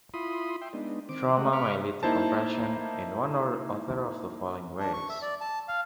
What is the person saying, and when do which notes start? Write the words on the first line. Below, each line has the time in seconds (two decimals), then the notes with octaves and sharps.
Trauma may lead to compression in one or other of the following ways.
0.14 E4 F4 B5 C6 D#6
0.62 E5 G5 C6
0.73 G#3 B3 D4 D#4
1.09 D#3 C4 D6
1.37 G#3 A3 C4 G4 D#5 F#5
1.53 F5 B5 C#6 D6 F6
2.03 A#3 D#4 E4 C5 A5
4.79 D4
4.93 C#6
5.09 E5
5.22 D5
5.41 A5
5.68 F5